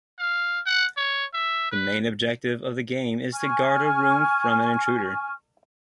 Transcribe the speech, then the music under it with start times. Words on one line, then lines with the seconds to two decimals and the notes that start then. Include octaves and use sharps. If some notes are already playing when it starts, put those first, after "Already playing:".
The main objective of the game is to guard a room from an intruder.
0.19 F5
0.66 F#5
0.97 C#5
1.34 E5
1.71 B4
3.33 G#5 C#6 F6